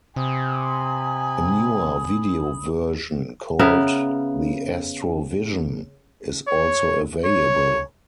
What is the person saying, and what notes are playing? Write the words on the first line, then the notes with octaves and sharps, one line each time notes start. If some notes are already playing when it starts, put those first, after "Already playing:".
A newer video version, called the Astrovision, is also available.
C3 G#5 B5 D#6
C#3 B3 A#4 E5
C#5
C#5